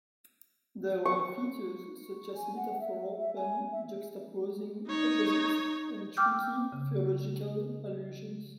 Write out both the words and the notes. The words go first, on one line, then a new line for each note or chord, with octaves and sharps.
There were features such as metaphor, pun, juxtaposing opposites and tricky theological allusions.
C#6
G#5
F#5
E5
E5
G#5
E5
D#4 C#5
G5 D6 E6 F6 G6
C#3